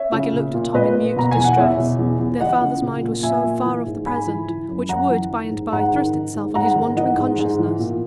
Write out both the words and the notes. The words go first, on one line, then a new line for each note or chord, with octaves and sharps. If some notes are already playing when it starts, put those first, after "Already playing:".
Maggie looked at Tom in mute distress, their father's mind was so far off the present, which would by-and-by thrust itself on his wandering consciousness!
Already playing: C#5 E5
C#3
A#2
A#2
A#2 B4 D#5
A#2
B2 A#5
E2 G#5
F#5
E2 C#5 E5
B2
E2
E2
E3 D#5 F#5
C#3
A#2
A#2
A#2 E5 G#5
A#2
E3
G#2
G#2 G#5 B5
E3
E3
F#2
F#2 F#5 A#5
E3
D#3
G#2
G#2 F#5 A#5
D#3
D#3
G#2
G#2 F#5 A#5
D#3
E3 D#5 F#5
G#2
G#2
E3
A#2